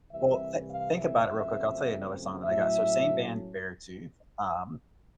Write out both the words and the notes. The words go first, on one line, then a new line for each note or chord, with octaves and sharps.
Well, thi think about it real quick. I'll tell you another song that I got. So same band, Beartooth, um,
C2 C3 E3 E5
F5
E5
F#2 C#3 F3 A3 C4
A2 F#3 A3 C#4 E5